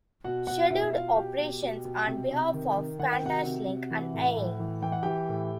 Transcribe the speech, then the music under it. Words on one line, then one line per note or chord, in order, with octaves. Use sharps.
Scheduled operations on behalf of QantasLink and AaE.
B2 F#4 F#5
B2 F#4 F#5
B2 E4 E5
E5
B2 F4 F5
B2 G4 G5
B2
B2
B2
C3
C3
D#3
D#3
D#3 F#5
G5
C3 F#4 F#5
C3
C3
E3
A2
A2
E3
E3 G5
F#5
E3 G4 G5
A2